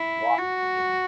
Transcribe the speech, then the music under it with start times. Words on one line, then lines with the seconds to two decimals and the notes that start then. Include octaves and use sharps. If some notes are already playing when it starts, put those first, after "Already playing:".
watching me.
Already playing: E4
0.38 F#4